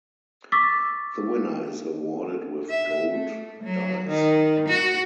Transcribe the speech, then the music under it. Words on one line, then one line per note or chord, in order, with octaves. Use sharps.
The winner is awarded with gold dice.
C#6 D6 E6 A6 B6
E5
A3
F#3
D#3
F#4